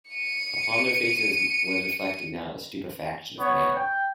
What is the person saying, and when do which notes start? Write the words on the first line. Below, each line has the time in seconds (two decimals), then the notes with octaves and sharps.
Upon their faces was reflected now the stupefaction of the man.
0.10 C#7 D#7
3.40 B3 C#5
3.76 G5